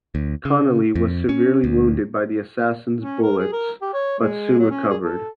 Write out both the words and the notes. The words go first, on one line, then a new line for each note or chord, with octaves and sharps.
Connally was severely wounded by the assassin's bullets but soon recovered.
D2
C#3
F2
C#4
D2
C#4
A#4
G#4
A#4
G4
C#5
G#3
F#3
C#4
G#4
A4